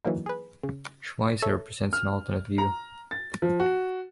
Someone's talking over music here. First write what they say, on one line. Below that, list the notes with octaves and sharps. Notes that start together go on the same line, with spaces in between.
Schweizer presents an alternate view.
D3 E3 F#3 A#3 D#4
G#4 B4
C#3
A4 C#5 E5
F6
A#5
A6
F3
F#4